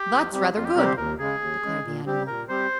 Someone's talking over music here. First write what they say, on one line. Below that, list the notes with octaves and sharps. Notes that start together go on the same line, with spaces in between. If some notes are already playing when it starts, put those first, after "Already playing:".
"That's rather good," declared the animal.
Already playing: G4
F2
C3 G3 C4 G4
F2 F4
G4
C3 G3 C4 G4 A#4
C5
D#2 A#4
C#3 G#3 G#4
D#2
C#3 G#3
A#2
G3 C4 G4
A#2 A#4
G3 C4 G4 C5